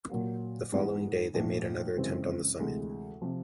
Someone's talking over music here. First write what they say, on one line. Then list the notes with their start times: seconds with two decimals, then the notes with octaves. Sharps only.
The following day they made another attempt on the summit.
0.09 A#2 F#3 A#3
0.72 G#2 E3 G#3 B3
1.34 A#1 G#2 F3 A3
1.97 F#2 C#3 E3 G#3 C4
2.60 D2 C3 E3 G#3
3.22 C3 F3